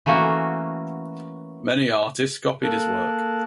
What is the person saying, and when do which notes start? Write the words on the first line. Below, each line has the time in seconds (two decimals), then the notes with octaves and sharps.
Many artists copied his work.
0.06 E3 A3 A#3 C#4 F#4
2.63 A#3 A4 F#6